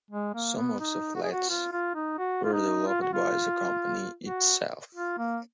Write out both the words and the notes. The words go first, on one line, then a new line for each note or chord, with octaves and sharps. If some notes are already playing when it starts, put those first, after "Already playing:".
Some of the flats were developed by the Company itself.
G#3
A#3
B3
D#4
F#4
G#4
F#4
F4
F4
D#4
F#4
F4
D#4
F4
F#4
F4
F#4
F4
A#3